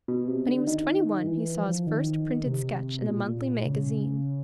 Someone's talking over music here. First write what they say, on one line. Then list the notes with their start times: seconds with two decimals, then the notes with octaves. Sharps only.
When he was twenty-one he saw his first printed sketch in a monthly magazine.
0.08 B2
0.28 C3
0.47 D3
0.67 D#3
1.27 E3
1.57 F3
1.87 D#3
2.46 C3
3.01 B2
3.06 A#2
3.65 C#3